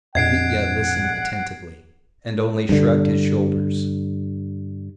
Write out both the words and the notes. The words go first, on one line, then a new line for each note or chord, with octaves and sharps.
Mitya listened attentively, and only shrugged his shoulders.
A#1 F2 D#5 F#5 G#6 C7 D7
G2 D3